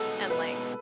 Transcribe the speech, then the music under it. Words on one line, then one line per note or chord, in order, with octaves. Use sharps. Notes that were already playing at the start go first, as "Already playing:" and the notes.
and, like,
Already playing: B2 G#3 B3 D#4 A4
B4